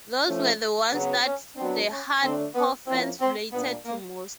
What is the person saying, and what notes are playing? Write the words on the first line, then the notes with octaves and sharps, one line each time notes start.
Those were the ones that the hard-core fans related to most.
F3 A3 C#4
C#3 F#3 B3
C#4
F#3 B3 C4 D4
C#4
D3 F#3 A3 C4 D4
B3
F3 A#3 C4 C#4 E4
C4
A#2 G3 A#3 B3 D4
A#3